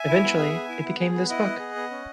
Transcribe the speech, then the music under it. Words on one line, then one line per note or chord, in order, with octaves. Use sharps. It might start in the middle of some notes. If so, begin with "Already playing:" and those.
Eventually it became this book.
Already playing: E5 G#5
E4
B3
G#4
B3
E4
B3
G#4
B3
E4 D#5 F#5
B3
G#4
B3
C#4